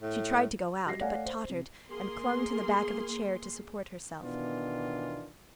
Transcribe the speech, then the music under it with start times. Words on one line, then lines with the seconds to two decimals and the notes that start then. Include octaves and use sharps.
She tried to go out, but tottered, and clung to the back of a chair to support herself.
0.02 A2
0.86 G3 F#4 A#6 C7
1.00 A3 C#5 D5 F5 F#5 G#5
1.25 C5
1.50 C3
1.89 A#3 G#4 C6
4.22 B2 D#3 E3 B3 D4 F4